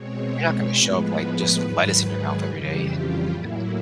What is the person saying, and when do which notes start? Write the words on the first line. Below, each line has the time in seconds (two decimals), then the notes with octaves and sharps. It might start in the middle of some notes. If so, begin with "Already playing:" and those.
you're not gonna show up, like, just lettuce in your mouth every day and eat that.
Already playing: B2 G#3 C4 C#5
0.32 C#5
0.74 A2 F3 G#3 B3 B4
1.16 B4
1.59 G#2 D#3 F#3 B4
2.02 G#4
2.44 F2 C#3 E3 G3 G4
2.87 F4
3.29 A2 F#3 A#3 E4